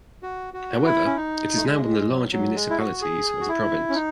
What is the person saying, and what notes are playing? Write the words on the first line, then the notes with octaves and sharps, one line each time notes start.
However, it is now one of the larger municipalities of the province.
F#4
F#4
E4
C#4
D#4
A3
G#3
F#3
F#3
G#3
E4
F#4
G#4
F#4
E4
C#4
D#4